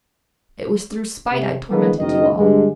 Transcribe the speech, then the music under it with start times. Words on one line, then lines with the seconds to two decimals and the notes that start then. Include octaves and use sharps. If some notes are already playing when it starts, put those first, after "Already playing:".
It was through spite I tormented you all.
1.32 C3
1.70 D3 E3 G#3 A#3 B3 A4
1.99 F#1 D#3 D#5
2.36 G2 D3 G#3